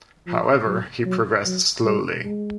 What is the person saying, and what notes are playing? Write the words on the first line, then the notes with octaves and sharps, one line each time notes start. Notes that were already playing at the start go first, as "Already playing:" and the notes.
However, he progressed slowly.
F3
F#3
F#3
F#3
G3
G#3